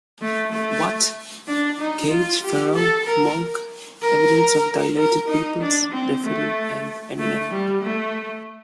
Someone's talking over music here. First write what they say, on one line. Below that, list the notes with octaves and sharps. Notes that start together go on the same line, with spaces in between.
What?, Cage, Pharoahe Monch, Evidence of Dilated Peoples, Defari and Eminem.
A3
A3
D4
D#4
F4
G4
A4
A#4
A#4
A#4
D#4
D4
C4
A3
A3
G3
A3